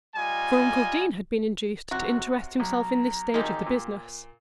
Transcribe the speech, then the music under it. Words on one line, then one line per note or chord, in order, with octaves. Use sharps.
For uncle Deane had been induced to interest himself in this stage of the business.
G3 F4 D#5 G#5
C3 F#3 F#4
B1 A#5
G#1 A#3 D#4 G4 G#4
A#2